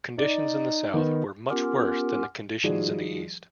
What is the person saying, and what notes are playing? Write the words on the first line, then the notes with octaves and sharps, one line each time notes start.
Conditions in the South were much worse than the conditions in the East.
D#4 D5
D#3 B3 D#4
B3 C#4 F4 G4 A#4
D#3 F3 G3 F#4 G#4 D5